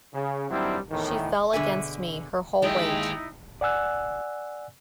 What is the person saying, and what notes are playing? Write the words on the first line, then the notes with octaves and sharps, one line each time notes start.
She fell against me — her whole weight.
C#3
D#3 F#3 G3 C4 D4 E4
E2 A2 D#3
B2 D3 G#4 E5 G#5
D#2 G#3 D#4 E4 G4 G5
D5 F#5 G#5 E6 F#6